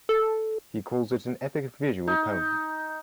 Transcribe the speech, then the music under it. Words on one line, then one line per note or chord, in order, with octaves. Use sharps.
He calls it an epic visual poem.
A4
D#4